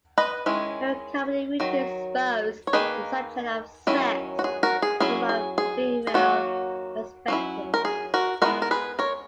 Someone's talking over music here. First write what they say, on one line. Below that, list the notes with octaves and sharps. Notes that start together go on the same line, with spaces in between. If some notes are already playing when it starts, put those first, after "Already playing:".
Her comedy routines exposed the subject of sex from a female perspective.
B4 D#5
D#3 G#3 C#4 E4
D#3 F#3
C#5
D#3 A#3 D#4 G#4 B4
D#3 F#3 C#4 E4
F#4
G#4
F#4 A#4
G#4
F#3 C#4 E4 G#4
G#4
G#4
G#4
D#3 F#3 A#3 F#4
F#3 C#4 E4
A#4
G#4
F#4 A#4
G#3 B3 E4 F#4 A#4
A#4
G#4 B4
A#4 C#5